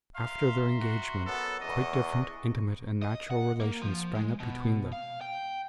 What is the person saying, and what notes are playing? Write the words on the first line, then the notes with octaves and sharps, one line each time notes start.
After their engagement, quite different, intimate, and natural relations sprang up between them.
E5 F5 A#5 C6
F#4
F#2 F#3 B3 A4
E2 D4 D#5 C#6
D#5
F#5
A#3
F3
G#3
B2
F5
G5